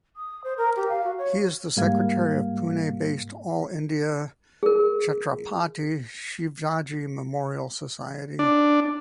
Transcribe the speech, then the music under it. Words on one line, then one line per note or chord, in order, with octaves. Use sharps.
He is the secretary of Pune based All India Chhatrapati Shivaji Memorial Society.
D#6
C5
A#4
G4
F5
F#4
C#5
G#2 G3 A#3 F5 G#6
G#4 A#4
D4